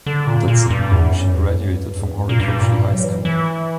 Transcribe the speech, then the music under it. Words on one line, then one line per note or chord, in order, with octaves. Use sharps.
That same year, she graduated from Horikoshi High School.
D3
A#2
A#2
G2
E2
F#2
E2
F#2
G2
E2
F#2
A#2
G2
A#2
G2
F#3
E3
E3